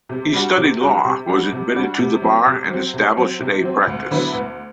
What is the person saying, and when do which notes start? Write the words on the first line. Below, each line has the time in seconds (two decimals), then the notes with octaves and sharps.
He studied law, was admitted to the bar, and established a practice.
0.09 C3
0.33 G3 D4 F#4
0.57 C3
0.80 G3 D4 F#4
1.05 C3
1.27 G3 D4 F#4
1.52 C3
1.74 G3 D4 F#4
1.99 C3
2.22 F#3 C4
2.46 C3
2.69 F#3 C4
2.94 C3
3.17 F#3 C4
3.40 C3
3.63 F#3 C4
3.87 D2
4.11 D3 F#3 B3 E4
4.34 D2